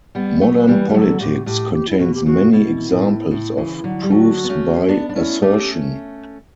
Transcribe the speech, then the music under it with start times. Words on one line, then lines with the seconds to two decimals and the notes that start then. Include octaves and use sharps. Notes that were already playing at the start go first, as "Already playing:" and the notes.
Modern politics contains many examples of proofs by assertion.
0.15 G3 B3
0.41 F#3 A3
0.55 B4
0.67 E3 G3
0.89 G3
0.94 D3 F#3 A4
1.20 A2 G4
1.46 A2 G4
1.73 G4
1.89 E4
1.99 B2 F#4
2.15 G4
2.26 C#3 F#4
2.52 B2 E4
2.91 A2
3.31 A2
3.57 C#3 E3
3.84 D3 F#3
4.03 G3
4.10 D3 F#3 F#4
4.44 B3
4.49 A3 C#4
4.88 B3 D4
5.09 D4
5.15 A3 C#4 E4
5.42 A3 C#4 G4